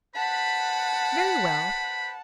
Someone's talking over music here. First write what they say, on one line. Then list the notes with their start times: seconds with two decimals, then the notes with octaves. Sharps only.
Very well.
0.15 B4 C5 F#5 A5 B5